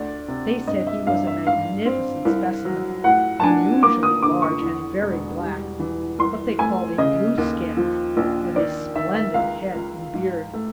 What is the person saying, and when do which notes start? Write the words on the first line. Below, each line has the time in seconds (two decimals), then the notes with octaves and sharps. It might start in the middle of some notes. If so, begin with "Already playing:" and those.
They said he was a magnificent specimen--unusually large, and very black--what they call a blue skin--with a splendid head and beard.
Already playing: D2 D5
0.28 C3
0.67 G2 D#5
0.87 E5
1.07 G2 F5
1.27 E5
1.47 G#2 F5
1.85 C4
2.25 C2
2.65 F#3
3.04 A2 F#5
3.40 A5
3.43 D4 G#5
3.82 A#3 D6
4.03 D#6
4.22 D3 D6
4.42 C#6
4.61 E2
5.02 E1
5.41 G3
5.79 E3
6.19 C2 C6
6.59 A3 G#5
6.98 C#3 D#5
7.38 D#2
7.77 F3
8.17 A#1
8.56 D#3 D5
8.95 D#3 E5
9.15 E5
9.34 C#2 F5
9.75 C#2
10.14 G#2
10.53 A3